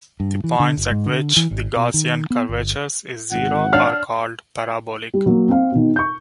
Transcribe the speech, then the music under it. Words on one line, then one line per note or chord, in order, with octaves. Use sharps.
The points at which the Gaussian curvature is zero are called "parabolic".
G2
E3
D3
F#1
G#2
D3
E3
G#1
B2
D#3
B3
G1
G#1 F#5
D4 C#5 F5 F6
G3
F#3 A#3
C4 F5
B2 D#3
C#6 G6